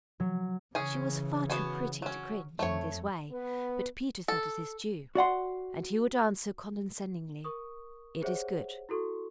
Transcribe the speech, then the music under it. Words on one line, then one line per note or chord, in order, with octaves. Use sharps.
She was far too pretty to cringe in this way, but Peter thought it his due, and he would answer condescendingly, 'It is good.
F#3
C#3 E3 C#4 G#4 G#5
B3 F#4 G#5
F#3 C#4
F2 A3 C#5
B3 B4
A4
F#4 D5 F#5 C6
A#4 C#6 D#6
G4 G#4 C5 C#5 E5 F#5
E4 F#4 A4 C6 C#6